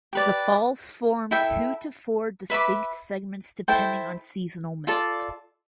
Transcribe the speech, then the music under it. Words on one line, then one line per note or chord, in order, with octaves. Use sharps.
The falls form two to four distinct segments depending on seasonal melt.
G4 B4 D5
E4 A4 E5 G5
B4 E5 B5 D6
E4 A4 C5 G5
F4 A4 D5 A5